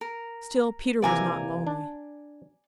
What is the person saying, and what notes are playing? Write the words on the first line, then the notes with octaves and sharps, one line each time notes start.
Still Peter was not lonely.
A#4
C3 E3 A#3 D5 G#5 A#5
D4